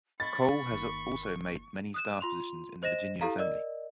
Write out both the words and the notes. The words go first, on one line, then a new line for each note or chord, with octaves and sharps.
Cole has also had many staff positions in the Virginia Assembly.
D#5 F5 B5 C#6 A6
G1 D#3 A#3
D#6 F#6 E7
F4 C6 F7
C5 D#5 A#6 E7
E4 G4 A4 F5 A#5
A#4 D5 D#5